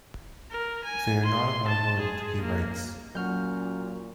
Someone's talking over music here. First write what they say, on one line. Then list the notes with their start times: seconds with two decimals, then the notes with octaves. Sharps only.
"They are not of my world", he writes.
0.51 A#4
0.85 G#5
1.25 C6
1.68 A5
2.00 G#4
2.41 A#3
3.15 A#2 F#3 C#4 F#4 F6 G6